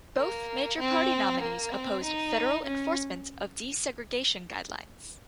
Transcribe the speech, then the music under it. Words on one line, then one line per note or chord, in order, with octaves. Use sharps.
Both major party nominees opposed federal enforcement of desegregation guidelines.
A#3
C4
A#3
C4
D#4
C#4